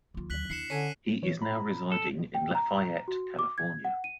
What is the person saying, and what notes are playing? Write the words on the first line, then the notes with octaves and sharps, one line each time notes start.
He is now residing in Lafayette, California.
D#2 F#3 F4
D2 F#3 F#6 B6 F#7
D4 E4 C7 C#7 E7
D3 C#4 A4 G#5 B6 D#7
E3 C#5
A#5 B5
A4
G5
A#5
F#4
D6
G#6
F#5
D#7